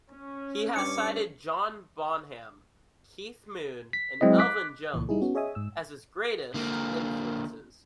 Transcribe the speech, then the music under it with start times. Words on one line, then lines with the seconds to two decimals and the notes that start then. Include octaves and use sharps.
He has cited John Bonham, Keith Moon, and Elvin Jones as his greatest influences.
0.10 C#4
0.76 G2 D6 C#7
3.93 B6
4.21 F#3 G#3 C4 E4 D#5
4.38 D6 F#6 B6
4.94 C#2 A#2 E3
5.09 G3 D#4 E4 G#4
5.21 B3 C#4 F#4
5.35 G#4 C#5 D#5 E5 G#5 D#6
5.55 G#2 E6
6.54 D3 A#3